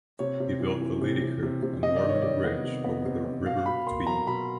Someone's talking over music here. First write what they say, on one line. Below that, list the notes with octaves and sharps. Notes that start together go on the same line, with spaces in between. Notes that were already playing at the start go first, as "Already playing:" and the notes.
He built the Ladykirk and Norham Bridge over the River Tweed.
C3 C#5
C3
E3
E3
C3
C3
C3
C3
C3 D#5
D5
D#3
C#5
G3 D5
B3
C3
B3
C3
B3
B2 F5
B2 B5
A#3 C6
F#3 A#5
B2 B5